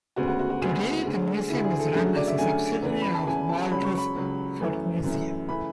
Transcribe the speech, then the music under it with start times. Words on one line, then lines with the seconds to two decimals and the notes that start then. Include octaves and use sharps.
Today the museum is run as a subsidiary of Valdres Folkemuseum.
0.16 D2 C#3 G#3 B3 F#4
0.28 F#4
0.39 F#4
0.50 F#4
0.61 D2 C#3 G#3 B3 G#4
1.06 D2 D3 G#3
1.50 D2 D3 G#3 E4
1.64 G#4
1.80 A4
1.94 F#2 D3 A3 G#4
2.05 F#4
2.16 D5
2.28 E5
2.38 F#2 D3 A3 G#5
2.82 E2 C#3 E3
3.02 B5
3.14 A5
3.27 E2 C#3 E3 G#5
3.49 A5
3.72 C#2 C#3 F#3 B5
3.85 C#6
3.98 B5
4.16 C#2 C#3 F#3
4.60 F#2 E3 A3
5.04 F#2 E3 A3
5.49 C#3 E3 A3 B5